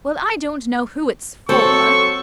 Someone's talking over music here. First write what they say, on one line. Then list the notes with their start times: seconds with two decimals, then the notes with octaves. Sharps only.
Well, I don't know who it's for!
1.49 F#3 C4 A4 C5 C#6